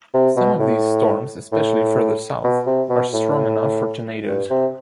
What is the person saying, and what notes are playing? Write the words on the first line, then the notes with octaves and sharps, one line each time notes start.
Some of these storms, especially further south, are strong enough for tornadoes.
C3
B2
A2
A2
B2
C3
B2
A2
G2
C3